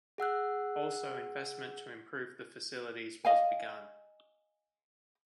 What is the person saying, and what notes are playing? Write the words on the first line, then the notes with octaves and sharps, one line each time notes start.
Also investment to improve the facilities was begun.
G#4 F#5 E6 F#6
D#5 F5 G#5